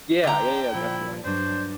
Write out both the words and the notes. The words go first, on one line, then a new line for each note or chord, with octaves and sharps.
Yeah, yeah, yeah, definitely.
D3 G5 A#5
A#2 F3 E4 F4
G2 F#3 D4 C5